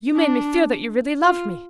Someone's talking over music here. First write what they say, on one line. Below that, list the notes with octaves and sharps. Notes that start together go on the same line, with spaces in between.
You made me feel that you really loved me.
D4
F4